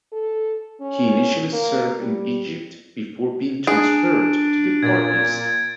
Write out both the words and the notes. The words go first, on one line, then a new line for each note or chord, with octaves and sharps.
He initially served in Egypt before being transferred to the Far East.
A4
C#4
A#3
G3
D4 G#4 D7
A#2 G#6 A6